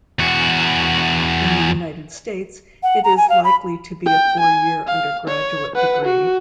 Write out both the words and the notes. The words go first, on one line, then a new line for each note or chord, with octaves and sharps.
In the United States, it is likely to be a four-year undergraduate degree.
E2 F#4
F#5
A#5
G#5
F5
B5
G5
G#5
F5
C#5
B4 F#5
F#4